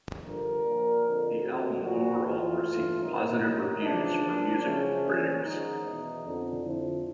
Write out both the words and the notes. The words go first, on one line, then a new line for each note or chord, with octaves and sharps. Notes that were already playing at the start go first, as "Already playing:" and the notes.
The album overall received positives reviews from music critics.
G2 D3 F3 A#4
A#2 F3
F2 D3 F3
F2 C3 D#3 F#4
A#2 F3 F#4
A2 E3 F4
A2 E3
E2 C3 D#3 D#4
F#2 D#3
E2 C#3 F3 D4
A#2 F3
F#2 C#3 F3 C#4
A#2 F3
G#2 D#3 D#4
E2 B2
F2 D3 F3
F2 D3 F3 E4